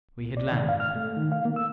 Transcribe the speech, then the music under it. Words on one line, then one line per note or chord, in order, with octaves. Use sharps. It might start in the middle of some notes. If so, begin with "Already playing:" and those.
We had landed.
C2
D5
D#3
F5
F6
A3
D#3
F5
A#3
E6